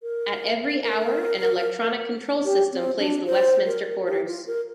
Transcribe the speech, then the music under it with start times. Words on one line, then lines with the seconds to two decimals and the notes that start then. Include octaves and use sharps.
At every hour, an electronic control system plays the Westminster Quarters.
0.03 A#4
0.83 A#4
2.45 G4
2.72 C4
2.99 D4
3.26 C5
3.66 A#4
4.07 G4
4.27 F4
4.47 A#4